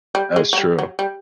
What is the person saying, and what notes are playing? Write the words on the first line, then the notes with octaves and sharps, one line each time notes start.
That's true.
G3
G#3
F#3
G3
F#3
G3